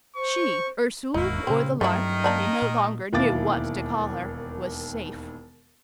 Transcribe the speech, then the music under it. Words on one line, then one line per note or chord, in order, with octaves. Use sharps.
She, Ursule or the Lark, he no longer knew what to call her, was safe.
C5 C#6
E1 D#2 G#2 A#3 D#4 E4 F#4
A#2 C#3 C4
G2 D#3 F#3 A3 E4 D#5
A#3 D4 D#4
A#2
E1 D#2 E4 F5 D6 A6